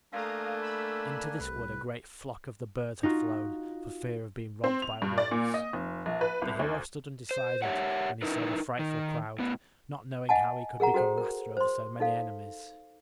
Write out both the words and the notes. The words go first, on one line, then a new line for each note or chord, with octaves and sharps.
Into this wood a great flock of the birds had flown for fear of being robbed by wolves. The hero stood undecided when he saw the frightful crowd, not knowing how he could become master over so many enemies.
A3 A#3 D4 F5 G#5 A#5 D#6
B5 E6
C2 B4
D#4 F4 F#4
C4
F7
G2
D5
A#2
D#5
F1
A#1
B4
C2
D2
C5
G4 C#5 E5 F#5
D#4 E4 A#4 B4
D#3
A2 B3
D#5 F#5 G#5 A5
G#4 A#4 F#5 A#5
F#4 A4 C5 G5
A#4
C5 C6
D#4 A4 F5